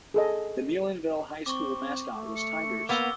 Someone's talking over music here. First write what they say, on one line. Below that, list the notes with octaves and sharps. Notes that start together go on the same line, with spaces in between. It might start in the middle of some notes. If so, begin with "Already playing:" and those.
The Mullinville High School mascot was Tigers.
G#4 A4 D#5
C4 C#6 D6
A3
C#7
A#3 B3 D6 E6 F7 G7